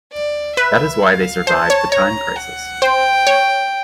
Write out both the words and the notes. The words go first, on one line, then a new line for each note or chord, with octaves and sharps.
That is why they survived the time crisis.
D5
B4 E5
F5
C5 A5
C#5
C#5 A#5
F#5
C5 G5
C#5